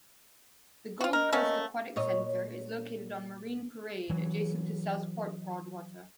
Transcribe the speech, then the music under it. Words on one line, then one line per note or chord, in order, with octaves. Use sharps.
The "Gold Coast Aquatic Centre" is located on Marine Parade adjacent to Southport Broadwater.
F4 F#4 F5
A#4 D#5
A3 A#3 C#4
A#2 C#5 D#5
E3 F#3